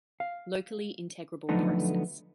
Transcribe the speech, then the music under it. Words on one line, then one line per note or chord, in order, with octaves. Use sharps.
Locally Integrable Process.
F5
D3 F3 F#3 A3 B3 D#4